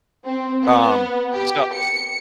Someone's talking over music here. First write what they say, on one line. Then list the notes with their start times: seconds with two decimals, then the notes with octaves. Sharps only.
Um, so
0.25 C4
0.64 B3
1.33 G4
1.74 C#7